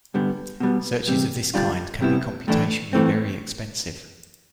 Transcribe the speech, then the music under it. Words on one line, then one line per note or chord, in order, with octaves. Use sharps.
Searches of this kind can be computationally very expensive.
G2 D3 G3 B3
B2 G3 B3
E2 C3 G3
D2 D3 G3 D4 F4
C2 C3 G3 B3 E4
B1 A2 E3 A3 D4
A2 E3 A3 C4